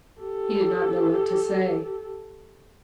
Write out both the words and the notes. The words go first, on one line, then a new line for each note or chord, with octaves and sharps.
He did not know what to say.
G4 A4